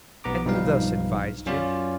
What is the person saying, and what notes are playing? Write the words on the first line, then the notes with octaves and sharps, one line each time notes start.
"And who thus advised you?"
B1 B3 A#5 D6
B1 G2 F3 D#4 F5
F#2 C#4 F4 D5